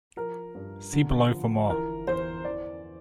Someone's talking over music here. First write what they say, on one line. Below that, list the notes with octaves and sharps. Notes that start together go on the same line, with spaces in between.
See below for more.
F3 A#4
G2
D3
F3
E3 A#4
E2 C5
E3 D5